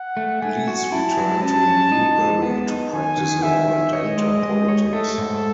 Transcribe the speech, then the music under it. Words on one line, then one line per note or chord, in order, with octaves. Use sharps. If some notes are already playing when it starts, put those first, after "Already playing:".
Blease returned to Newberry to practice law and enter politics.
Already playing: F#5
A3
A3 G#5
F#4
E4 A5
F#3
C#4 A5
C#4
D#4
G#3
B3
D#4
D#3 G#5
D#3
D#3 E5
D#3
C#5 D#5
G#3
G#3
C#5
A3 A4
G#2